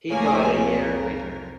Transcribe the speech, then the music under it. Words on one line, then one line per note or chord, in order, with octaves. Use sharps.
He died a year later.
C2 F2 C#3 A3 A#3 G#5
A#4